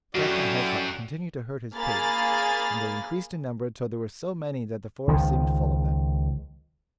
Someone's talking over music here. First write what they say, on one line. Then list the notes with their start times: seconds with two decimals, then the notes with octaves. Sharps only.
Jack my Hedgehog continued to herd his pigs, and they increased in number till there were so many that the forest seemed full of them.
0.15 F#2 E4 F#4 G4 A4 C#5 D5
1.76 A#3 G#4 B5 F6 A6
5.07 C#2 D#3 F3